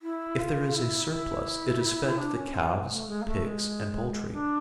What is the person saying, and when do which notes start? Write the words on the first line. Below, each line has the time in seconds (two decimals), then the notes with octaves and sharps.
If there is a surplus it is fed to the calves, pigs and poultry.
0.02 E4
0.38 F4
0.74 E4
1.10 E4
2.18 D4
2.35 C#4
2.54 C4
2.90 A3
3.07 G#3
3.21 A#3
3.25 A3
3.44 G#3
4.33 D4